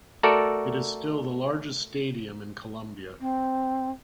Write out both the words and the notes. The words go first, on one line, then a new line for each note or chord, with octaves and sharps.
It is still the largest stadium in Colombia.
A3 F#4 A4 A#4 D5
C4